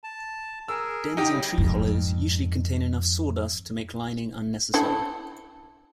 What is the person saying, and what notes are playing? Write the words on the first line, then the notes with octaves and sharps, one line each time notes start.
Dens in tree hollows usually contain enough sawdust to make lining unnecessary.
A5
G#4 A#4 E6
F2 D#4 G4 F#5
C#3 F#3 G3
F2 G#2
D4 E4 A4